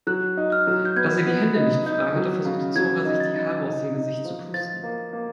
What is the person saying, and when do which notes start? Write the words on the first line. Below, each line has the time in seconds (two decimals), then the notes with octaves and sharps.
Da sie die Hände nicht frei hatte, versuchte Zora sich die Haare aus dem Gesicht zu pusten.
0.07 F#3 F#6
0.37 D#4
0.52 F6
0.67 F#3
0.85 G6
0.96 B3 G#6
1.26 B3
1.56 D#4
1.86 D#4 G6
2.16 F#3
2.45 C#3
2.76 F#3 G#6
3.05 D#4
3.20 A6
3.35 D#4
3.65 D#4
3.94 D#4
4.25 F3
4.54 F3 A6
4.83 A#3
5.13 A#3